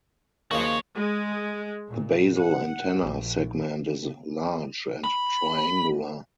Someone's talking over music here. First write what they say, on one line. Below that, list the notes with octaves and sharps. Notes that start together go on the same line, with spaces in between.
The basal antenna segment is large and triangular.
D#2 C#3 F3 F#4 C#5
G#3
A#2
F#5
A#1
B5